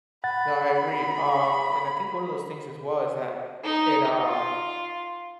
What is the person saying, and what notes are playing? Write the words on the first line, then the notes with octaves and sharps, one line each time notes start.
No, I agree, um, and I think one of those things as well is that it um,
F#5 B5 A6
D#4
F4